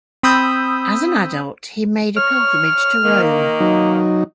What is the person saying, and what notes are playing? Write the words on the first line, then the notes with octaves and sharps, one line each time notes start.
As an adult he made a pilgrimage to Rome.
C4 B5 D#6 E6 G6
C#5 F6
D#3 A#3
F#3 D#4